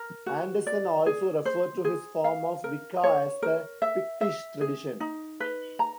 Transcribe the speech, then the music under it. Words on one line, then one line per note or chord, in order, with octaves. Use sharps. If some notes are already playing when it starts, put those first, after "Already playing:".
Anderson also referred to his form of Wicca as the "Pictish" tradition.
Already playing: A#4
F#4
D5
G#4
C5
G#4
F5
A#4
C#5
A#4
E5
E5
G#4
D#4
B4
A#5